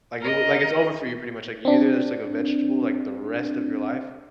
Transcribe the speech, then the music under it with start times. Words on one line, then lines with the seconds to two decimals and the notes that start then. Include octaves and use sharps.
like, it wa like, it's over for you pretty much, like, you either just take a vegetable, like, the rest of your life.
0.20 A#4 D#5
1.65 C4 D4